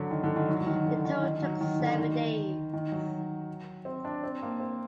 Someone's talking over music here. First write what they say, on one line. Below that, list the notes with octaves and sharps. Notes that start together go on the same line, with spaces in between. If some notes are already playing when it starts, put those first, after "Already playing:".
The tow took seven days.
Already playing: D3 F#3
D#3
D3
D#3
F#3
F#3
D#3
D3
D#3
D#3
F#3
D#3
D3
D#3
D#3
F#3
C4
D4
C4
A#3
C4